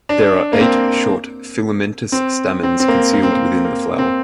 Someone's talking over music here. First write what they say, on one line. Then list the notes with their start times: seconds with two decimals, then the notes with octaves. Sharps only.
There are eight short filamentous stamens concealed within the flower.
0.09 D4
0.53 A#3
0.61 C4
2.12 C4
2.63 C4
2.80 C4
2.88 A#3
3.13 A#3
3.23 C4
3.32 A#3
3.65 A#3
3.99 C4